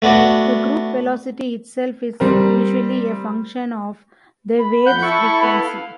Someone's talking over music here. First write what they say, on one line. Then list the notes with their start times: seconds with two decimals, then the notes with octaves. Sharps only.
The group velocity itself is usually a function of the wave's frequency.
0.02 A3 B3 D4 F#4
2.20 G3 C4 A#4
4.59 B5
4.86 F2 F#5 G6
5.02 E4 A4 C#6
5.42 B3
5.64 F5